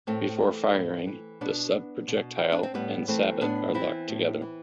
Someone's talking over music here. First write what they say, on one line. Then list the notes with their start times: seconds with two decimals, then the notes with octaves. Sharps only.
Before firing, the sub-projectile and sabot are locked together.
0.07 A2 A3 C4
0.40 E3
0.74 A2
1.07 E3
1.41 B2 B3 D4
2.08 B2
2.52 D4
2.63 C4
2.74 A2 G3 B3
3.08 E3 A3 C4
3.41 A2 B3 D4
3.75 E3 C4 E4
4.09 A2
4.42 E3